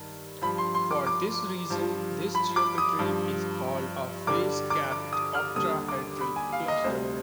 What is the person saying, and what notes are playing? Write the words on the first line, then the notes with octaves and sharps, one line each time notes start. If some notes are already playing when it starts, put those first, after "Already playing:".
For this reason this geometry is called a face capped octahedral cluster.
Already playing: G2 D#3
G2 F3 B5
C6
C6
D6
D6
G2 F3
B5
D6
D#6
G2 F3
G2 D3 G3 D6
D6
D6
D#6
F6
D#2 D3 G3 D#6
D6
B5
G#5
F5
D#5
D2 C3 G3 C5